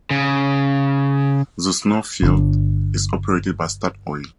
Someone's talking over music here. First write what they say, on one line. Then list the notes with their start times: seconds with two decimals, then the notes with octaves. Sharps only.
The Snorre field is operated by Statoil.
0.11 C#3
2.23 G1 D3